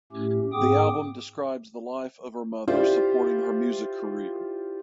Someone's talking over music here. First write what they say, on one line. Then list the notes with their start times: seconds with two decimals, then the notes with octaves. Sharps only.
The album describes the life of her mother supporting her music career.
0.12 A2 A3 C#4 G4
0.53 G#2 B3 G#4 G5 D6 D#6
2.67 E4 F4 G4 C5 D5